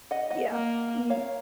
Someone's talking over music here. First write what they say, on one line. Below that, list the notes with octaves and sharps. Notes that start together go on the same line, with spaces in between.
Yeah. Mhm.
D#5 F#5
D#5 F#5
A#3
C#5 F5